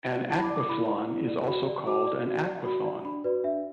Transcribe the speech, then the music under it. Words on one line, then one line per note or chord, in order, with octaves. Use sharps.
An aquathlon is also called an aquathon.
D5
E4 A5
B5
D6
D5
D6
E4 B5
D5
E4
D5
F#4 B5
D5
F#4 D6
D5
F#4
D5
F#4 B5
D5
D4 B5
F#4 B4 D5
D4 E5